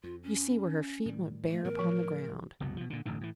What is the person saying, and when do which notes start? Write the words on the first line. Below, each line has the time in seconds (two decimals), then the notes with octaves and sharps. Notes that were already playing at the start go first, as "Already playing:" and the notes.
You see where her feet went bare upon the ground.
0.04 F2 F4
0.23 C#4
1.06 A2 D#3 G3
1.50 A3
1.64 A2 E3 B3 A#4
1.79 F3
2.60 F#1 C2 B2 F#3
2.77 B2 F3
2.90 A#2 D3
3.06 D1 A1 G2 D3
3.21 A2 E3